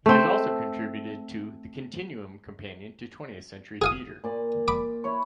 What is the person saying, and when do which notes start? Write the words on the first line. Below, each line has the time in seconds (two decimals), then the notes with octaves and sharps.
He has also contributed to "The Continuum Companion to Twentieth-Century Theatre".
0.06 A3 C4
3.82 G#4 F5 D#6
4.24 A#2 D5
4.68 B5 D6
5.04 E4 B4 C#5